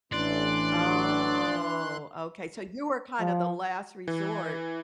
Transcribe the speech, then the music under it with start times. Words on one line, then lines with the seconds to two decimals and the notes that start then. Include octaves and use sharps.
Oh, okay, so you were kinda the last resort
0.12 A1 E3 D4 D5 C6 F#6
3.20 F3
4.08 E3